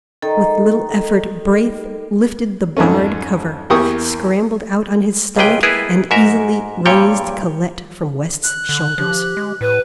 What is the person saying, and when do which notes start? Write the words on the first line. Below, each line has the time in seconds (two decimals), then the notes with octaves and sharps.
With little effort Braith lifted the barred cover, scrambled out on his stomach, and easily raised Colette from West's shoulders.
0.22 D#3 A4
2.77 F2 G#2 A3 C#4
3.70 E2 E3 A#3 G4 C#6 D#6
5.36 C#2 C3 G3 G#4 B4 G5
5.63 B3 E4 G#4 A#4 B4
6.11 G#2 F#4 A#4 E5
6.85 G2 A#2 G3 C#5 G5
8.44 F#6
8.69 D3
8.98 F3 G4
9.37 G#3
9.61 A2 B4